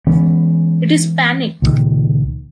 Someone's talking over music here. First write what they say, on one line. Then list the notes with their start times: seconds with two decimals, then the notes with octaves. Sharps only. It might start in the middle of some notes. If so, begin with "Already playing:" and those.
It is panic!
0.07 E3 G#3 B3 C#4
1.62 C#2 A#2 D#3